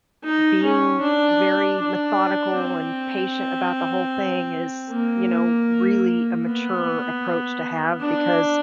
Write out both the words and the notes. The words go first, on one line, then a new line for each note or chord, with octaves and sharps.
being very methodical, and patient about the whole thing is, you know, really, a mature approach to have, because
D#4
C#4
D4
D4
C4
A#3
B3
D4